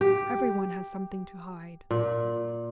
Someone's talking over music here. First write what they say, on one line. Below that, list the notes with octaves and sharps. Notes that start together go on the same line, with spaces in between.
Everyone has something to hide.
G4
A#2